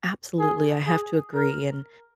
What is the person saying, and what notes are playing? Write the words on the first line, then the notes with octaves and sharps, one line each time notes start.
Absolutely, I have to agree, and
G#4
G#4
A#4